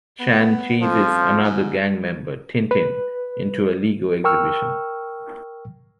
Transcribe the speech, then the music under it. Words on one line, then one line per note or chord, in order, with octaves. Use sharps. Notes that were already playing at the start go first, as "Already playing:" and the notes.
Chan chases another gang member, Tin Tin, into a Lego exhibition.
B3
F2 F3
G#2
B4
A#4 G5 C#6 E6 F6